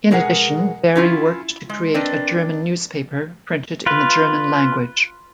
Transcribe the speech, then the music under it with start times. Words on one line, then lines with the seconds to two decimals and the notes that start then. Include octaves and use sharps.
In addition, Barry worked to create a German newspaper printed in the German language.
0.11 B2 G#3 G#4 A#4 C5 F#5
0.95 C#4 E4 F4
1.69 G#3
1.94 C4 D4 A#4 B4 D5 D#5
3.86 F4 B4